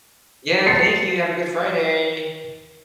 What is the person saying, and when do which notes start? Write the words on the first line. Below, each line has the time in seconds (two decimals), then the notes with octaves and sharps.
Yeah, thank you, have a good Friday.
0.66 A6 C7 C#7